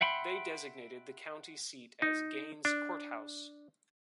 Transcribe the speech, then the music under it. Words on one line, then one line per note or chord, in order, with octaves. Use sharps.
They designated the county seat as Gaines Courthouse.
E5 F#5 G5 B5 C6
D#4
D4